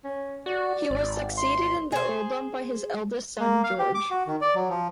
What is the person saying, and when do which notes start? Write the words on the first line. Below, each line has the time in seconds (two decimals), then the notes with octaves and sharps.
He was succeeded in the earldom by his eldest son, George.
0.04 C#4
0.46 F#4 D5
0.90 G#1
1.38 C6
1.92 G#4 C5
3.40 A#3
3.64 F5
3.79 G4
3.94 D6
4.11 F#4
4.27 D#3
4.41 D5
4.55 F#3
4.69 F3